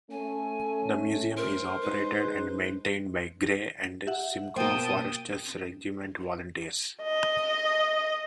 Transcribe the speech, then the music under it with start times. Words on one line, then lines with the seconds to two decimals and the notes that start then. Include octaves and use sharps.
The museum is operated and maintained by Grey and Simcoe Foresters Regiment volunteers.
0.11 A3 C#4 G#5
1.37 A#4 C5
1.81 G#3 D#4 B4
4.07 G4 E5 F#5
4.56 B2 A#3 C5 G5 A5 D#6
7.02 D#5